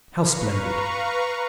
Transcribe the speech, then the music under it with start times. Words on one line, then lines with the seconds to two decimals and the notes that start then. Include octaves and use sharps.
"How splendid!"
0.14 B4 F5 A#5 C#6